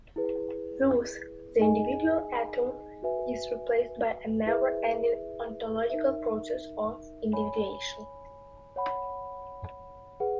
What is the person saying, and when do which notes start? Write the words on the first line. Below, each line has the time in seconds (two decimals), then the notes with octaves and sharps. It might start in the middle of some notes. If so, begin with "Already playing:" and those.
Thus, the individual atom is replaced by a never-ending ontological process of individuation.
0.16 E4 G#4 B4
1.60 D#4 G#4 D#5 G#5
3.03 F#4 B4 E5 G#5
4.46 E4 G#4 B4 E5
5.90 D#4 A#4 E5
7.33 C#5 G#5 B5
8.76 C#5 F#5 B5
10.20 G#4 B4 F#5